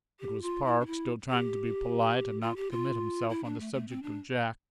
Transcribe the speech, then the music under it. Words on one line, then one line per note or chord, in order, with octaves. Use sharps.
It was Park, still trying to be polite and not commit himself on the subject of Jack.
G4
F4
E4
D4
E4
G4
F4
G4
F4
E4
D4
A3
A3
C4
D4